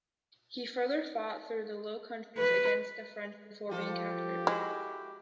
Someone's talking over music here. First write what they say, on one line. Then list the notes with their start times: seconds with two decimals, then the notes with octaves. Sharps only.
He further fought through the Low Countries against the French before being captured.
2.38 B4
3.70 E2 F3 F4 G4 A4
4.47 G#3 E4 F#4